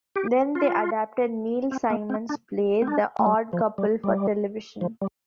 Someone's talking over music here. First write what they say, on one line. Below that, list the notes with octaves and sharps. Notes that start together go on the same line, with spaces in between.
Then they adapted Neil Simon's play "The Odd Couple" for television.
G4
F4
C4
A#3
C4
D4
C4
D4
A3
G3
F3
G3
G3
F3
G3